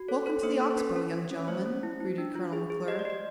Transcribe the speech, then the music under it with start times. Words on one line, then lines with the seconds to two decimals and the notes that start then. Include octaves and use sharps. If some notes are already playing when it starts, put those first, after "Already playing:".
"Welcome to the Ox Bow, young gentlemen," greeted Colonel McClure.
Already playing: F#4
0.08 A4 C#5
0.26 A4
0.43 A#3 C5
0.61 A4
0.78 C#4 B4
0.96 C#4
1.13 C#4
1.31 C#4
1.36 C#5
1.48 A3 C5
1.66 C#4
1.83 E4
2.00 E4
2.18 D4
2.35 F4
2.53 G#4
2.70 G#4
2.88 G4 D#5
2.99 D5
3.05 G4 D#5